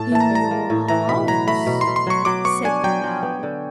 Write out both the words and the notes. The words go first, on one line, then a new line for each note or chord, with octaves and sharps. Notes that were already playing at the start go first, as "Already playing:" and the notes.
"In your house," said the Owl.
Already playing: A2 A5
E3 A5
A#5
G3
A#5
A#3
A2
E3 A#5
B2 B5
F#3 A#5
A3 B5
B2
C6
B2
C6
F#3 C#6
F#3 D6
B3 C#6
D4 G#5
F#3 G5
F#3
B3
D3